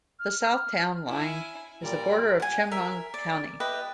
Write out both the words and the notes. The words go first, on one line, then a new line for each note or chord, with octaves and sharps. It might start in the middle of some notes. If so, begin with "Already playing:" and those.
The south town line is the border of Chemung County.
F6
F6
E4 G#5
A#2 G3 A#4 D5
F#5 G#5
A#4 E5
D5
E4 G4 B4 D#5